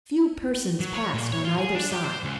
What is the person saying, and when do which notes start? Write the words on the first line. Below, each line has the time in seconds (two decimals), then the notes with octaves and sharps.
Few persons passed on either side.
0.80 F#3
0.95 C#5
1.14 A#2
1.32 C#5
1.45 F4
1.58 G#4
1.75 D4
1.92 G4
2.04 C5
2.24 C#2